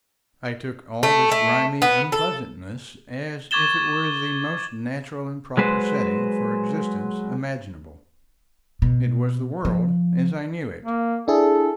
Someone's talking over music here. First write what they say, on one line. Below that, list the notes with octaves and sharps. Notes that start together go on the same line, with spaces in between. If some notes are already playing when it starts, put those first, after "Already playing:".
I took all this grimy unpleasantness as if it were the most natural and proper setting for existence imaginable. It was the world as I knew it.
A3
A3
B3
A4
C#6 D6 G#6 A6 E7 G7
F#3 G#3 B4 C5
B2
F3
A#3
D4 E4 G#4 A4